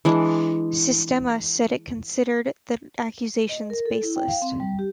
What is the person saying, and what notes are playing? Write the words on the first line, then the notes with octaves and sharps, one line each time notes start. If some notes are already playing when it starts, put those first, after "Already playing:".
Sistema said it considered the accusations baseless.
E3 G#3 D4
D#5
A#4
A4
E4
G5
F5
C4
G3
G4